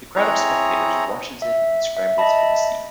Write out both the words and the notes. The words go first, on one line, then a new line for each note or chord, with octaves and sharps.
The crowd of spectators rushes in and scrambles for the seed.
C4 E4 G#4 C#5 A#5
E5
E5
D#5 E5 A5 B5